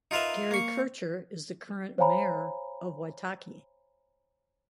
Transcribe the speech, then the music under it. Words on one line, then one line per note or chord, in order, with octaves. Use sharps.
Gary Kircher is the current mayor of Waitaki.
D#4 F4 A#4 B4 E5
A#3 C#6
C5 C#5 F5 G#5 A#5 B5